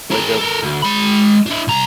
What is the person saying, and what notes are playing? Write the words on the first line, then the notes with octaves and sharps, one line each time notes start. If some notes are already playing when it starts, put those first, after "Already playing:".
like, um
G#4 A#4
A4 A#4
D2
G#3 B5
D4 E4
C2 A#5